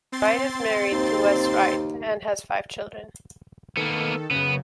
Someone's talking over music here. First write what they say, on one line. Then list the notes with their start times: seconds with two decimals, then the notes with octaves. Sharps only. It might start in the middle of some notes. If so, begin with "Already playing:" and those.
Wright is married to Wes Wright and has five children.
0.12 C4 C6 A6
0.91 D#2 C5
3.77 D#3 A#3 B3 A4
4.31 F#2 C#3 B3